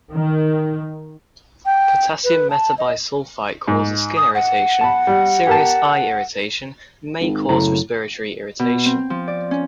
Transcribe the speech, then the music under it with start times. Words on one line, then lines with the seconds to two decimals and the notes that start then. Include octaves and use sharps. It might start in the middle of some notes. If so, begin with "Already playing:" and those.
Potassium metabisulfite causes skin irritation, serious eye irritation, and may cause respiratory irritation.
0.12 D#3
1.66 G5
2.24 B4
2.50 A5
2.78 D#5
3.68 G#2
4.17 D#6
4.35 F#5
4.81 A5 B5
5.07 G3
5.47 G4 A#4 A5
7.20 G#1
7.49 F#2 A2 C#3 A#5
8.59 B2
8.86 C4
9.10 F3
9.28 D5
9.51 C#4